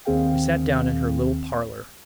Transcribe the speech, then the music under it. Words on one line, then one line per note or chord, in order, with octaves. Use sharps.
We sat down in her little parlour.
D#2 D#3 C4 G#4 F5 G5